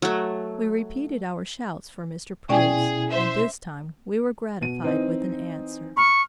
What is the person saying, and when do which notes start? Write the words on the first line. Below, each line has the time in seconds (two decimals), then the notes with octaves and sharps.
We repeated our shouts for Mr. Preuss; and this time we were gratified with an answer.
0.02 F#3 A3
2.49 B2 C#4 E4 G#4 D5 G5
3.11 C5 E5
4.61 B2 D#7
4.82 E3 C4 D#4
5.97 B5 C#6 F6